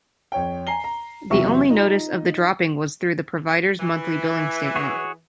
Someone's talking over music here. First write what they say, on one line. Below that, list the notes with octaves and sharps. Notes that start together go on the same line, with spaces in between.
The only notice of the dropping was through the provider's monthly billing statement.
F2 C#5 G5
G#5 A#5 C7 G7
A#5
E2 C3 F#3 E5 C#6
D#4 F4
E3
F#4 G#4 C#5